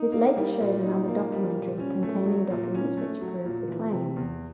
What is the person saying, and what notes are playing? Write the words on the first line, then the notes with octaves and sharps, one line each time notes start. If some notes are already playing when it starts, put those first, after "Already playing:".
It later showed another documentary containing documents which proved the claim.
Already playing: D#4
A#3
G3
A#2
D#4
A#3
G3
A#2
C#4
A3
F#3
A#2
C#4
A3
F#3
A#2
E3
C3
E2